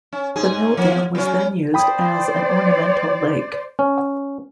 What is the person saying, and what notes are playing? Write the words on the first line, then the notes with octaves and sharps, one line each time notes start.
The mill dam was then used as an ornamental lake.
C#4
G#2 G#4
F3
F#3 C#4
C5 D5 G5 B5 D#6
C#4